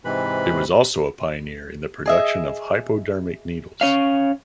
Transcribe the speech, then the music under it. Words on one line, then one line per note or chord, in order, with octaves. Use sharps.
It was also a pioneer in the production of hypodermic needles.
G#2 C3 E3 B4 B5
G#4 D#5 E5
C#4 C#5 F5